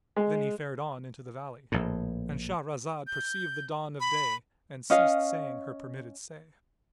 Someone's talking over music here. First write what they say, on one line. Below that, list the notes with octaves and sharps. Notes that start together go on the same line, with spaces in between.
Then he fared on into the valley.--And Shahrazad perceived the dawn of day and ceased saying her permitted say.
G#3
A#1 A2
G6
B5
C#4 D#5 F5